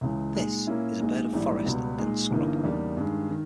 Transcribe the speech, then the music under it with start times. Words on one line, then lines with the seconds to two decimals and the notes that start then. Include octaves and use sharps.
This is a bird of forest and dense scrub.
0.01 C#2 C#3 E3 G#3
0.34 A#2 G#3 D#4
0.67 A#2 A#3 C#4 E4
1.00 A#1 A#2 G#3 D#4
1.33 A#1 G#2 E3 G3
1.65 C#2 B2 G3 B3
1.98 A#2 G#3 D#4
2.31 G1 G2 E3 A#3 D#4
2.64 E2 C#3 G3 A#3 D#4
2.97 G2 D#3 G#3
3.30 D#3